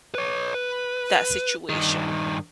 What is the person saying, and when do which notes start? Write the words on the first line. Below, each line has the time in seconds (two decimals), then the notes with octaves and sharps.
that situation?
0.15 B4 C#5
0.54 B4
1.69 G2 D#3